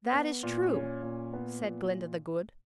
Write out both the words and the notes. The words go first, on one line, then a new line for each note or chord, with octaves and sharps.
"That is true," said Glinda the Good.
B3
A#2
C#4
A#2
B3
A#2